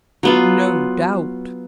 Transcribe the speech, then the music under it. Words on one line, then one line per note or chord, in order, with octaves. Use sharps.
"No doubt."
F#3 B3 F4